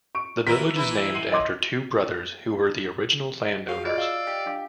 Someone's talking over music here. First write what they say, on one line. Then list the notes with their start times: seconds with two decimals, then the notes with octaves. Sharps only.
The village is named after two brothers who were the original landowners.
0.15 C#6 D7
0.47 E3 A#4 E6 B6
0.76 E3 E4
1.15 C7 D#7 F#7
1.32 D#5 C6 D6
3.69 F#4 G#4 F5
3.85 F4 D5 D#5
3.98 F5 E6
4.27 G4
4.46 D4 F5 D6